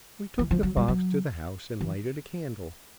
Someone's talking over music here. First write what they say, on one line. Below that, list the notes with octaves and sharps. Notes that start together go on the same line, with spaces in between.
We took the fox to the house and lighted a candle.
E3
F3
F#3
G3
F#3
E3